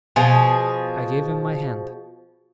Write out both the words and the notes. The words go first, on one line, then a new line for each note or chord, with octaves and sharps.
I gave him my hand.
B2 F3 G#4